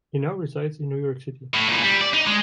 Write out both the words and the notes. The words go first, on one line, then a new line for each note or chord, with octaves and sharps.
He now resides in New York City.
A2
A#2 E3
G3
D5
D#4
G#3